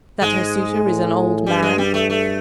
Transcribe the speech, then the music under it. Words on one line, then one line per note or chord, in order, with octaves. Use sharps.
That her suitor is an old man?
G#2 G#3
A2
G2 G3
G#3
G3
A3
A3